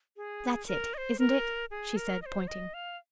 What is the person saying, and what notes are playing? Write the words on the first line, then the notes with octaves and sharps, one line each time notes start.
"That's it, isn't it?" she said, pointing.
G#4
A#4
D#5
C5
A#4
G#4
A#4
D#5
C5
D#5
F5